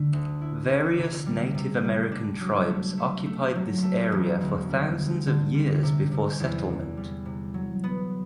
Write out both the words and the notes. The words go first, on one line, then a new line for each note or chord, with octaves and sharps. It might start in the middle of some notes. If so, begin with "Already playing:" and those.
Various Native American tribes occupied this area for thousands of years before settlement.
Already playing: D3 A3
D2
E4
D2
C3
G3
C3
G3
D4
F#3
A3
A3
A3
F#3
A3
E1
D2
G3
D2
D3
G3
C3
C3
E2
C3
G3
C3
F#3
B3